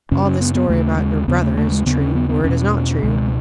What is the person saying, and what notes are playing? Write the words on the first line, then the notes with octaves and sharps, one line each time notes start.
All this story about your brother is true or is not true.
F#2 C#3 C#4
C#4
B3
B3
D#2 C#3 A3
G#3
D#2 C#3 B3
A3
A3
G#3
D#2 C#3 B3
C#4
B3
B3
E2 B2 C#4
C#2 B2 G#3